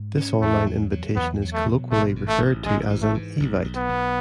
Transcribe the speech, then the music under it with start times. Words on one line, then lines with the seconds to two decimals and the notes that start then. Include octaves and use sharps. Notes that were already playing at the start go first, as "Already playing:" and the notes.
This online invitation is colloquially referred to as "an Evite".
Already playing: G#2
0.17 C#4
0.42 E2 A3
0.66 F#3
0.92 F#3
1.16 E2 B3
1.42 F#3
1.54 A3
1.66 B2
1.91 A1 A3
2.16 G#2
2.28 A3
2.40 A1
2.65 A1 G#3
2.90 E3
3.02 A3
3.14 G#2
3.40 B1
3.64 B1
3.77 B3
3.89 B1